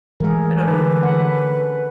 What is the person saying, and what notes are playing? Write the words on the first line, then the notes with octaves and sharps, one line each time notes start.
I don't know.
E3 G#3 A3 G#4 A#4
D3 A4 B4
C#4 F#5